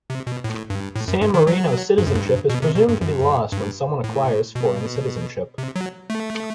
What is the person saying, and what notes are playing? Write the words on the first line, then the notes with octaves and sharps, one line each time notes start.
San Marino citizenship is presumed to be lost when someone acquires foreign citizenship.
C3
B2
A2
G2
A2
F#2
G2
D#3
F#3
G2
F#2
G2
B2
C3
B2
G2
F#2
G2
A2
B2
C3
F#3
A3